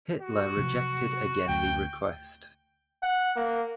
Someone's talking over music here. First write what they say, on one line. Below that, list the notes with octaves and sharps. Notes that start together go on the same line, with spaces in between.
Hitler rejected again the request.
F#4
C3 F3 F#3
D2 G5
F#5
A#3